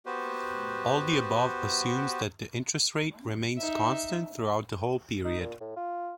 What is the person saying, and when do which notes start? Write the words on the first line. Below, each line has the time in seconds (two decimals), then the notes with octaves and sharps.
All the above assumes that the interest rate remains constant throughout the whole period.
0.06 B3 F#4 G4 B4 C5
3.57 D#4 E5
5.25 D#4
5.40 A#2
5.60 A2
5.76 F4